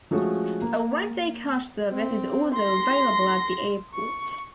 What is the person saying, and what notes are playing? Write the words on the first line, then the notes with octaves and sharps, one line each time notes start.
A Rent-a-Car service is also available at the airport.
F3 G#3 A3 C#4 F#4 A4
A#3
C4
C6 A#6
C#6